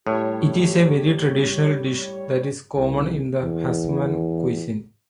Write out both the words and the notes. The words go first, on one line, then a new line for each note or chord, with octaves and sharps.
It is a very traditional dish that is common in the husman cuisine.
A2 G3 G4 C#5
C2
E2